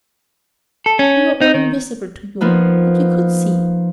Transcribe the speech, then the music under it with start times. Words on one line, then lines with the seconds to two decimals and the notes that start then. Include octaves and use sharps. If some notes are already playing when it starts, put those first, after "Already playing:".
We were all invisible to you; but we could see.
0.86 A4
0.99 C#4
1.41 D#4
1.54 D#3
2.41 F3 A#3 B3 D#4